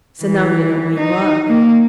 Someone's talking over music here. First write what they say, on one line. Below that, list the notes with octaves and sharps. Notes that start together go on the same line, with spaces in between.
So now you know where you are.'
E3
D#4
A#3